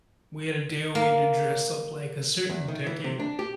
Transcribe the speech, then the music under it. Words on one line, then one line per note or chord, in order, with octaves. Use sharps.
we had a day where we had to dress up like a certain decade.
A#3
E2
D#3
E3
C3
D4
G4